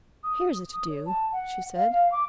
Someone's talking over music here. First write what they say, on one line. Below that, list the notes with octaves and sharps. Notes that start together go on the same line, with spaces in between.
"Here's a to-do," she said.
D#6
D#6
C#5
A5
F#5
F5
F5
D6